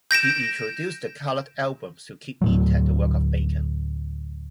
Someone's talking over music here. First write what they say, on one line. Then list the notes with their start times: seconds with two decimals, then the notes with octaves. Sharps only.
He introduced the coloured albums to keep intact the work of Bacon.
0.11 G6 A#6 D7 E7
2.42 D2 A2 F#3